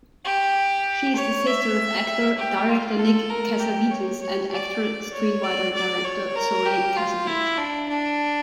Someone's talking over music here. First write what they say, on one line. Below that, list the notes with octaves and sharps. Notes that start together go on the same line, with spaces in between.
She is the sister of actor-director Nick Cassavetes and actor-screenwriter-director Zoe Cassavetes.
G4
C#5
E5
G4
F4
A4
A#4
G4
C#5
C#5
D5
C#5
D5
D5
C#5
A#4
G4
F4
E4
D4
D4